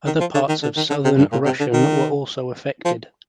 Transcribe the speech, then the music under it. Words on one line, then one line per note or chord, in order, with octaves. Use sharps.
Other parts of Southern Russian were also affected.
D#3
F3
D3
D#3
D3
D#3
D3
C3
G2
A#2
C3
D3
D#3
F3